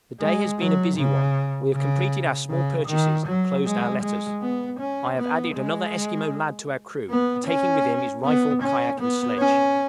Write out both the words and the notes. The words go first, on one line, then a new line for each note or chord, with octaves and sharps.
The day has been a busy one: we have completed our small purchases and closed our letters; I have added another Esquimaux lad to our crew, taking with him his rifle, kayak, and sledge.
G#3
F#3
C#3
C#3
C#3
D#3
F#3
G#3
G#3
B3
C#4
B3
G#3
B3
C#4
B3
C#4
B3
C#4